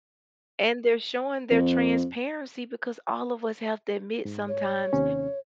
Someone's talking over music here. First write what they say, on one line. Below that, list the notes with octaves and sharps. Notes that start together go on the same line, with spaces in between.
and they're showing their transparency, because all of us have to admit sometimes
F2
G#2
C#5
D#2 C3 C#4